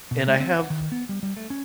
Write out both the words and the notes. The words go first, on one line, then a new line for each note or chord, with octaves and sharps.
and I have,
B2
G#3
C4
F#5
D#3
B3
G3
G3
A3
C#4